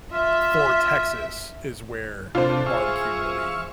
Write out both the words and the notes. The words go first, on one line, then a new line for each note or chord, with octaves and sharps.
for Texas is where barbecue really
F4 E5
C3 D4 F4 A4 C5
G#4 E5 F5 C#6